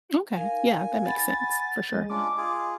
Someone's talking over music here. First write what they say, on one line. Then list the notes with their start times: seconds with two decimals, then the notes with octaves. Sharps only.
Okay. Yeah, that makes sense, for sure.
0.35 D#4 A#4 F5 G#5
1.05 F#5 B5 A6
1.93 G#3 D#5
2.10 C#4 D4 F4 D6
2.37 F4 G#4